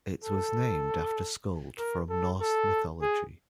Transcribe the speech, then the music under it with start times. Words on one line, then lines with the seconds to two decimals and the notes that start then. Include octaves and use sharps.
It was named after Skuld from Norse mythology.
0.24 A4
1.79 A#4
2.09 A4
2.40 A4
3.02 G#4